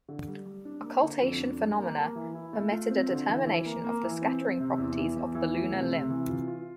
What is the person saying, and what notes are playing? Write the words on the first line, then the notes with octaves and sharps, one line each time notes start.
Occultation phenomena permitted a determination of the scattering properties of the lunar limb.
D3
G3
G3
D4
A#3
D3
F2
D4
G3
A#3
A#3
E3
E4
A3
F4
C4
D3
E3
E3
A#3
A#3
E3
C4
C4
C3
E2
E3
E2
E3
A3
C3
C3
E3
F4
F4